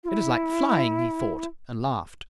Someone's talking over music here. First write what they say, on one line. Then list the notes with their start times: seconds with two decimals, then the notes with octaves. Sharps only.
"It is like flying," he thought and laughed.
0.04 F4
0.08 E4